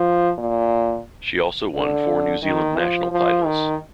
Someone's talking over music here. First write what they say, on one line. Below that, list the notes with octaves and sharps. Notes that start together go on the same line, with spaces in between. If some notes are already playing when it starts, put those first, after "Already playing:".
She also won four New Zealand national titles.
Already playing: F3
A#2
D3
D#3
F3
F3
D#3